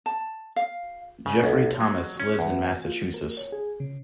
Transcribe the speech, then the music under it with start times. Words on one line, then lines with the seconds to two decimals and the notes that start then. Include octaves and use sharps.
Jeffrey Thomas lives in Massachusetts.
0.06 A5
0.56 F5
1.26 C#3
1.44 B1
1.80 F#3
2.20 C#4
2.39 E2
2.86 F4
3.03 F#3
3.14 A#4
3.37 C#5
3.52 G#4
3.80 C#3